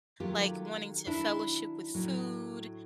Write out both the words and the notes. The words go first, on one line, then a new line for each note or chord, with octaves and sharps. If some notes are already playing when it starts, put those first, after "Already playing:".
like, wanting to fellowship with food
D#3 F#3 A3 F4 G4
D4 E4
A2 F#3 A3